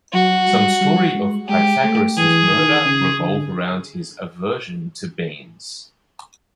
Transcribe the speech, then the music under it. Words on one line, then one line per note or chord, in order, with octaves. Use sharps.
Some stories of Pythagoras' murder revolve around his aversion to beans.
F#3 F#4
G3
G3
G#3
G#3 G4
A3
E3 G#4
D#3
C#3
D3